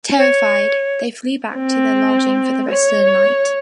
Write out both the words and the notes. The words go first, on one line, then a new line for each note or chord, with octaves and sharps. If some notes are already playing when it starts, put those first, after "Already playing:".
Terrified, they flee back to their lodging for the rest of the night.
C#5
C4
C#5